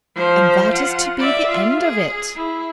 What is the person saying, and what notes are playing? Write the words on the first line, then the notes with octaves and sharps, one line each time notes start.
"And that is to be the end of it."
F3 C5
F4 F#5
D5 E5
F4
G#4
E4